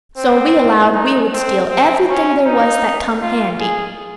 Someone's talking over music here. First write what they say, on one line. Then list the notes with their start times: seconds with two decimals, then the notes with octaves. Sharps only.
So we allowed we would steal everything there was that come handy.
0.18 C4
0.93 D#4
1.32 C4
1.70 C4
2.08 C#4
2.46 D#4
3.22 F4
3.60 G#4